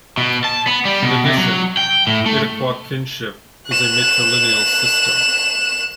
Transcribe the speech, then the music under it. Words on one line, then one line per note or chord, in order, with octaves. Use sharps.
In addition, Iroquois kinship is a matrilineal system.
B2
A5
B3
G3
B2
C3
F#3
G5
A2
A3
F#6 E7